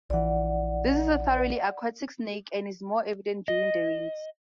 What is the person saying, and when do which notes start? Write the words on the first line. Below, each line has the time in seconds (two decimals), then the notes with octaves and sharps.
This is a thoroughly aquatic snake, and is more evident during the rains.
0.10 A#1 E3 D5 F#5
3.48 D#5